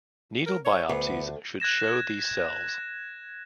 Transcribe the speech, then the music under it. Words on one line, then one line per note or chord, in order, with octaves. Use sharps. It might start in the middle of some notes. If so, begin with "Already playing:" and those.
Needle biopsies should show these cells.
A#4
C#5
D2 B3
F#6 G#6 A#6 E7